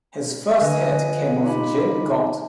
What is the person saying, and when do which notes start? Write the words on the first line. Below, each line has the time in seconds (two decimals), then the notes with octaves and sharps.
His first hit came off Jim Gott.
0.61 D3 B4 D#5 G#5
1.03 F2
1.44 D#4 F4 G4 B5